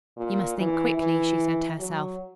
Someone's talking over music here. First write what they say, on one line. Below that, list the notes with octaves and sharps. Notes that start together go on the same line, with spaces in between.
"You must think quickly," she said to herself.
A#2
E3
E3
F#3